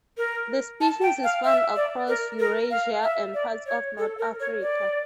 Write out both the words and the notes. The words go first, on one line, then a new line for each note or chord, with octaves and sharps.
This species is found across Eurasia and parts of North Africa.
A#4
A5
G5
F5
E5
D5
A#4
A#4
F5
E5
D5
C#5
A4
A#4
C#5
D5